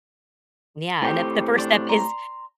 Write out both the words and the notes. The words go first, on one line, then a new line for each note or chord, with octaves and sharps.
Yeah, and if the first step is
A2 C4 G4
D4 C6 D6
A#5 C6